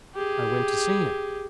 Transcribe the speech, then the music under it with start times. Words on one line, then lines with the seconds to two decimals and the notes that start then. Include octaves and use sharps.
"I went to see him."
0.15 G4 G#4